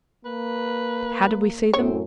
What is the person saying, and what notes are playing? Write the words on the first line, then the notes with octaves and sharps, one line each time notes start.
How did we see them?
A#3 B4
F#2 A2 C4 C#5